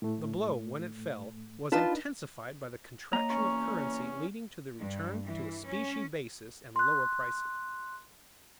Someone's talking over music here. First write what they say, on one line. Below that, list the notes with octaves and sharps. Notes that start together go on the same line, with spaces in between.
The blow, when it fell, was intensified by the contraction of currency leading to the return to a specie basis and lower prices.
A2 A3
D4 D#4 F4 B4 A5
A#3 C#5 D#5 A#5
E2 C#4 C#6
G2
E3
C#4
C6 F#6